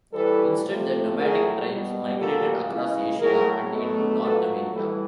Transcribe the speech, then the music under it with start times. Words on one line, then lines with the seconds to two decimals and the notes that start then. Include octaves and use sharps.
Instead, the nomadic tribes migrated across Asia and into North America.
0.13 A2 E3 G3 A4 B4
0.64 C3 F3 A3
1.16 A2 F#3 A3 G#4 A#4
1.65 B2 G3
2.17 A#2 F#3 A3 G4 A4
2.67 C#3 E3 G#3
3.18 A2 F#3 A3 G#4 A#4
3.70 B2 F#3 A3
4.21 A#2 F#3 A3 A4 B4
4.71 A2 E3 G3 A4 B4